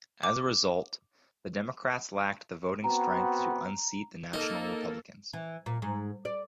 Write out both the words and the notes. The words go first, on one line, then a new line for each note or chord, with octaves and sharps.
As a result, the Democrats lacked the voting strength to unseat the National Republicans.
D6
B3 C4 F#4 A#5
A#3 D#4 A4 A#4
E3
A#2
G#2
D5